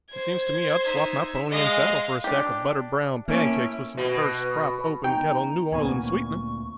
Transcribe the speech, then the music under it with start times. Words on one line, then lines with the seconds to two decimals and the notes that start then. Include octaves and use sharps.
It seems to me I'd swap my pony and saddle for a stack of buttered brown pancakes with some first crop, open kettle, New Orleans sweetening.
0.11 C5 G#6
0.83 D#4 E5
1.52 G#3 D#5 F5
2.24 D4 G4
3.28 A2 A#3 C#4 E5 D7
3.97 B2
5.04 B3 D#4 G5 A#5
5.72 D2 A#2 B3 C4 G#5 C#6